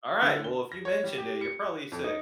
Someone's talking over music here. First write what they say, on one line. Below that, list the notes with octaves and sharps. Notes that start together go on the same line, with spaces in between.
Alright, well, if you mentioned it, you're probably sick."
D3
G7
A#6
C#5
G3
G4
C#7
F#6
F2
D#4